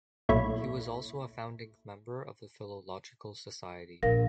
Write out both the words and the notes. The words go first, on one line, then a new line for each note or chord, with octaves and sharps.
He was also a founding member of the Philological Society.
B1 A#2 A3 E4 C#5 B5
A#1 A#4 F5 A#6